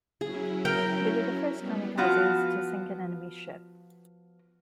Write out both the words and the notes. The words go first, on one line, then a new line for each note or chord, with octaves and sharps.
They were the first "kamikazes" to sink an enemy ship.
F#3 C#4 E4 G#4
A#4 G5
G3 B3
F3 B3 F4 F#4